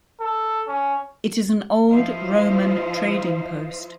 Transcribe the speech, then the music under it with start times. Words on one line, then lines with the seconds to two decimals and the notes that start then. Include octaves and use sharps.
It is an old Roman trading post.
0.21 A4
0.68 C#4
1.91 F3 E4 F4 C5 D#5 F5